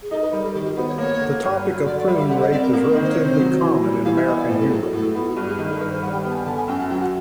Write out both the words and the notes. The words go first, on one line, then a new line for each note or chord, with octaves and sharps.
The topic of prison rape is relatively common in American humor.
G#4
D#4 A4
B4
G3 A#4
A4
D#3 G4
F#4
B3 C5
C#5
A#3 C#5
D3
G2
F#3
D3 D5
D5
G3 E5
F5
D3 F#5
D#5
C4 D5
A#4
A#3 A#4
A#4
D#3
C5
C#5
C3 C5
F#3
E3
G3
E3 F5
E5
B3 D#5
D5
A2 C5
A4
F#3 G#4
A4
A2 A4
B3 E4
F4
F#4
G2 G4
G#4
D#3 G#4
A4
G2 B4
C5
G3 F#5
G5
B3 G5
A5
G#5
D3 A5
G#5
F#2 G5
F#5
F#3 G5
F#5